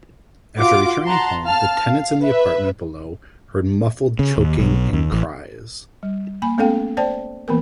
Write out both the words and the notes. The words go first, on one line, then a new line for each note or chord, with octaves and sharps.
After returning home, the tenants in the apartment below heard muffled choking and cries.
F4 F#4 D6
F#5 A5 A#5 C6
F5 A5 F6
F5
B4 E5
C#3
D#2
B1
D#2
A1
G3
A#3 G#5 B5
A3 B3 C#4 A4 F5 G5
C5 D5 G5 A5
E3 A#3 B3 A#4